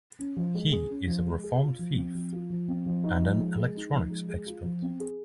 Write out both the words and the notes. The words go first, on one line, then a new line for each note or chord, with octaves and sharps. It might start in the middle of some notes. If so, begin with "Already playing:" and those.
He is a reformed thief and an electronics expert.
C#4
F3
G#3
G#4
C#4
F3
G#3
G#4
F4
F3
C4
F3
F4
F3
C4
F3
D#4
F3
G#3
G#4
D#4
F3
G#3
G#4
F4
F3
C4
G#4